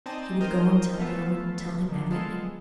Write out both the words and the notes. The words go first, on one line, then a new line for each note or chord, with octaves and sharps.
He would go and tell Irwine--tell him everything.
C4 D#4 D5 D#5 G#5 A5
C4 D#4 A#4 C5 D#5
E3 A3 B3 F4 A4
D3 D#3
G#3 B3 F4 A4